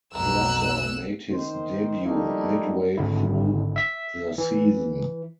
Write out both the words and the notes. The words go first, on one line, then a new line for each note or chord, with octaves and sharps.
Closser made his debut midway through the season.
B1 F2 B2 A#5 E6 F#6
D#3 C5
F3 G3 A3 A#3 D#4 E4
G#1 D3 E4
E5 B6
E3